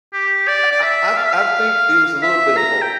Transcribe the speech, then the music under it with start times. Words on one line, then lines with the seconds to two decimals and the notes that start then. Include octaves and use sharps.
I I I th I think it was a little bit of both,
0.13 G4
0.48 D5
0.71 D5
0.83 E5
1.17 F5
1.25 E5
1.33 F5
2.22 E5
2.57 A#5
2.82 G5